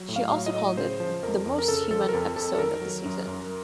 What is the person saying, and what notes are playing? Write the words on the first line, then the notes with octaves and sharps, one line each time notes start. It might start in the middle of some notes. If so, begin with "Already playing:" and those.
She also called it the "most human" episode of the season.
Already playing: F#3
A2
F5
F#3
D#5
A2
C#3 C5
F3
F2 A#4
F2
A#4
C#3 A4
F3 A4
A#4
F2 A4
F2 A4
A4
D#3 A#4
F#3
F#2
F#2